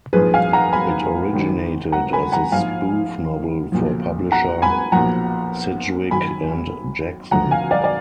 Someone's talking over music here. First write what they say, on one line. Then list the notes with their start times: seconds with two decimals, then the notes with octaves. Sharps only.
It originated as a spoof novel for publisher Sidgwick and Jackson.
0.13 A#1 G#2 F3 G#4 B4
0.34 F5 G#5
0.53 F#5 A#5
0.73 G#5 B5
1.33 G#1 G#2 D#3
1.92 F#5 A#5
2.13 G#5 B5
2.32 F#5 A#5
2.52 A#1 G#2 F3 F5 G#5
3.72 B1 A#2 F3
4.32 F#5 A#5
4.62 G#5 B5
4.92 B1 A#2 F3 F#5 A#5
6.11 G#1 F#2 D#3 G#5 B5
7.31 D2 D3 F3 F#5 A#5
7.51 F5 G#5
7.71 D5 F5
7.84 D5